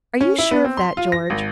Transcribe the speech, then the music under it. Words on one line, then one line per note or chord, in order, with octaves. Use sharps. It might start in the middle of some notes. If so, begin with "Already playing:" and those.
"Are you sure of that, George?"
C#4
E4
B3
C4
C6
F4
A#6
G#1